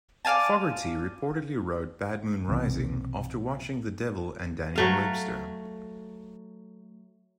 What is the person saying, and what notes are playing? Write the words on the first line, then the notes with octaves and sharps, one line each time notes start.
Fogerty reportedly wrote "Bad Moon Rising" after watching "The Devil and Daniel Webster".
D5 F5 G#5 A5
B1 C3 D#3 E3
F#3 A3 F5